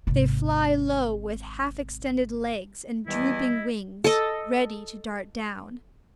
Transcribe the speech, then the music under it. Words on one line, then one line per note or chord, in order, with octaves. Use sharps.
They fly low with half-extended legs and drooping wings, ready to dart down.
G#1 C3
E2 D#3 G3 B3 E4 D#5
A4 D#5